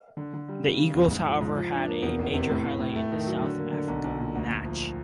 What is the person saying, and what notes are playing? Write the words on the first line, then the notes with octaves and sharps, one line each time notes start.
The Eagles, however, had a major highlight in the South Africa match.
D3
D3
G3
C#3
C#3
E2
G#2
F3
G#2
F3
D4
A#3
E2
F1
C3
A2
A2
A2
A3
D#3
F#3
D3
A#3
D3
B1
B1
A#2
D2
D2
F3